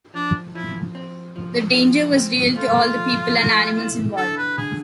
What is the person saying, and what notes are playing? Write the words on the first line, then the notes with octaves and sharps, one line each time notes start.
The danger was real to all the people and animals involved.
F3 D4
F3 E4
C4
F3
F3
C4
A3 F4
F3
A3
E4
D3 A4
B4
D3 G#4